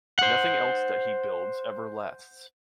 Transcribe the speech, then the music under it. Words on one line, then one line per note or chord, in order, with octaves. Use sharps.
Nothing else that he builds ever lasts.
C5 F#5